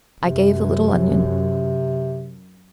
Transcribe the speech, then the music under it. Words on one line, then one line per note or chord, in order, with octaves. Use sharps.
I gave a little onion.
F#2 C3